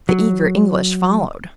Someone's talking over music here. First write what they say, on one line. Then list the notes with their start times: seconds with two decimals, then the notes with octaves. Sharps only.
The eager English followed.
0.09 F#3